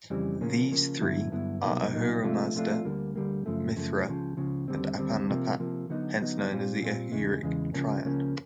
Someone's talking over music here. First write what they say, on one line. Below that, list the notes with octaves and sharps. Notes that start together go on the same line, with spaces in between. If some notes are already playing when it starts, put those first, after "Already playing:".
These three are Ahura Mazda, Mithra, and Apam Napat-hence known as the "Ahuric triad".
F2 C#3 E3 G3 C4
C#3 F3 A#3 C#4
C#3 F3 A#3 C#4
G2 D3 F#3 B3 E4
G2 D3 F#3 B3 E4
C2 B2 F#3 A#3 D#4
C2 B2 F#3 A#3 D#4
C3 F3 A3 D4 F4
C3 F3 A3 D4 F4
D2 D3 G3 A#3
D2 D3 G3 A#3
F#2 C#3 F3 A3
F#2 C#3 F3 A3
C#2 C#3 F3
C#2 C#3 F3
D#2 D3 G3 C4
D#2 D3 G3 C4
C3 F3 A#3
C3 F3 A#3
D3 F#3 B3 D#4
D3 F#3 B3 D#4
A#2 G3 C4 F4
A#2 G3 C4 F4
E2 C#3 E3 G#3
E2 C#3 E3 G#3
C#2 C#3 F3 A#3 C#4
C#2 C#3 F3 A#3 C#4